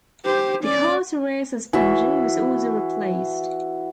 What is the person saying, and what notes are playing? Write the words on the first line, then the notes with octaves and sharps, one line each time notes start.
The car's rear suspension was also replaced.
G4 C5
C#4 D5
E3 F#4 E5